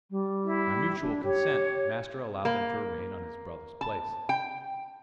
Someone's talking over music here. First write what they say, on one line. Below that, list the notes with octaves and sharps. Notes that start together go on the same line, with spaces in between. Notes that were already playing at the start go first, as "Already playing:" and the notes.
By mutual consent master allowed them to remain on his brother's place.
G3
E4
D4
G4 C#5
A#3
A5
G5